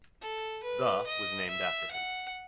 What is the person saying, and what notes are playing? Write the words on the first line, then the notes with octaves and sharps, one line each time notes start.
The was named after him.
A4
B4
D#5
E5
F#5